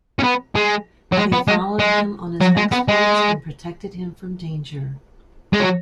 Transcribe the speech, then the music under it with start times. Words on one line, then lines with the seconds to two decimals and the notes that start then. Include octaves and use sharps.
They followed him on his exploits and protected him from danger.
0.19 C#4
0.23 B3
0.55 G#3
1.12 F#3
1.17 G#3
1.32 B3
1.48 G#3
1.79 G#3
2.41 F#3
2.57 G#3
2.72 B3
2.88 G#3
5.53 G#3
5.60 F#3